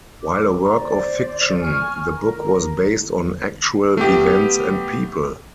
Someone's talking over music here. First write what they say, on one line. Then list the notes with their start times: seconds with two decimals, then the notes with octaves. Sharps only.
While a work of fiction, the book was based on actual events and people.
0.23 D6
0.62 A#5
0.76 C5 D5
1.61 G#5 C#6 F6
2.09 A#4
3.97 A3 B3 G4